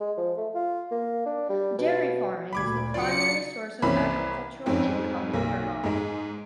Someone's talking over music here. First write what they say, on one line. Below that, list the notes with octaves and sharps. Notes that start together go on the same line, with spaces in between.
Dairy farming is the primary source of agricultural income in Vermont.
G#3
F3
A3
F4
A#3
D4
G3
B2
D2 A#2 B5 D6 G#6
C#3 F#3 F4 D5 C#7
C2 E3 A#3 C4 C#4 B5
F2 G#2 C4 C#4
B1 A#3
G#2 G#3